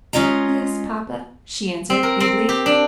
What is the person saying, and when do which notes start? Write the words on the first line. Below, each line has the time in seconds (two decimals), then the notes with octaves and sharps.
"Yes, papa," she answered feebly.
0.13 G#3 C#4 F4 D#5 A#5
1.90 C4
2.03 A#4
2.20 C4
2.49 G4
2.66 D4